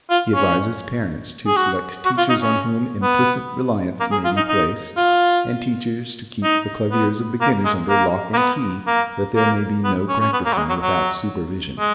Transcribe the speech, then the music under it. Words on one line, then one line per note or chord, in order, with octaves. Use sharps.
He advises parents to select teachers on whom implicit reliance may be placed, and teachers to keep the claviers of beginners under lock and key that there may be no practicing without supervision.
F4
C#4
G#4
F#4
F#4
F4
D#4
C#4
B3
A#3
G#4
F4
D#4
D#4
F4
D#4
B3
A#3
G#3
A#3
A#3
B3
A#3
A#3
B3
C#4
C#4
B3
A#3
F#3
G#3
F#3
F#3
G#3